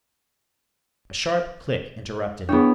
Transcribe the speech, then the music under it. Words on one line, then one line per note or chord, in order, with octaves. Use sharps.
A sharp click interrupted him.
B3 D4 E4 G#4 C#5